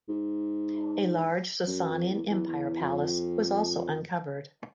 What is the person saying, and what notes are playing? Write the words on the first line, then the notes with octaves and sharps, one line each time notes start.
A large Sasanian Empire palace was also uncovered.
G#2
F#2
F2
E2
E2
E2
F2